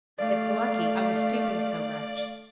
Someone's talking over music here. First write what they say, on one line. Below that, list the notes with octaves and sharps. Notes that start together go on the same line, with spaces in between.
It's lucky I was stooping so much.
A3 D5 F5